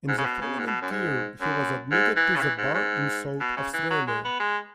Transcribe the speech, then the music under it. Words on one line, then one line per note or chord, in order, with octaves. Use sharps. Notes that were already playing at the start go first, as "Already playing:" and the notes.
In the following year he was admitted to the Bar in South Australia.
G#2
C#3
B2
C#3
G#2
B2
F#2
G#2
F#2
G#2
E3
C#3
E3
G#2
G#2
B2
C#3
E3
F#3
G#3
B3
G#3